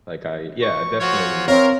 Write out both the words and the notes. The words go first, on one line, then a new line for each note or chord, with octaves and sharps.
like, I Yeah, I definitely,
C#6
F3 F4 F#4 C#5
C4 A#4 C#5 F5